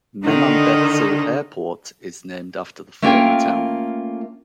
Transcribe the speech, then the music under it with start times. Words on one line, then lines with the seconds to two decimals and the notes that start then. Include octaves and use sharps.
Memanbetsu Airport is named after the former town.
0.23 D3 D#3 D#4 A4
3.02 A3 A#3 C#4 F4 A#4 G5